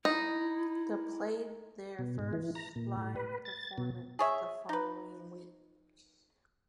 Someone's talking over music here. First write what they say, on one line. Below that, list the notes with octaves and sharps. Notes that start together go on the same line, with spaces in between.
The played their first live performance the following week.
D#4 E4
B2
G#2
E3
A#5
A#2
A2
B4
A6
B2
G#4 C#5 E5
D#4 B4